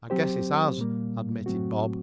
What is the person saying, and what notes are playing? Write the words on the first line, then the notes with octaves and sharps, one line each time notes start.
"I guess it has," admitted Bob.
F#3 C4 G4 C5
A#2 G3 A#3
A2 F#3 A3 C4 F#4